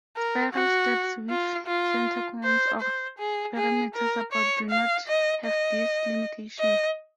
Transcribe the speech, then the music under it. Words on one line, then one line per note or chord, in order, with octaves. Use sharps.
Spiral steps with center columns or perimeter support do not have this limitation.
A#4
F#4
F4
F4
C5
C5
G#4
G#4
A#4
C#5
F5
D#5
D#5
D#5